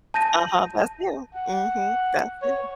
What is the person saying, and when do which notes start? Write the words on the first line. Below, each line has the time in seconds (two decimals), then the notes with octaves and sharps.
Uh-huh, that's him. Mhm. That's him.
0.14 A5 G6 A#6 D#7
1.33 F#5
2.42 C#5